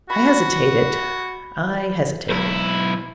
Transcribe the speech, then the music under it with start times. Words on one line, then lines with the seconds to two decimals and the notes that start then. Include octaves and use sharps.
I hesitated, I hesitated.
0.10 F#4 B5
2.30 B1 E4